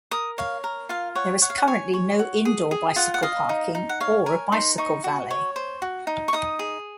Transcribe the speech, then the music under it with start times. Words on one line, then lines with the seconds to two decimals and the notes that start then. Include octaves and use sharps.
There is currently no indoor bicycle parking or a bicycle valet.
0.11 A#4 D#6
0.38 C#5 F5
0.64 A#4
0.89 F4 F5
1.15 C#5 F#5
1.41 C#5 F#5
1.50 F5
1.58 F#5
1.68 C#5 G#5
1.93 C#5
2.19 F#4
2.45 G#4
2.71 G#4
2.96 F4 F#5
3.14 F#5
3.23 D#5 F5
3.49 D#4
3.75 D#4
3.89 F#5
4.00 C#5 F5
4.26 A#4 G#5
4.52 D#4 C6
4.78 D#4 C#6
5.04 F#4
5.31 C#5
5.56 C5
5.82 F#4
6.07 D#4
6.28 C#6
6.33 D#4 D#6
6.59 G#4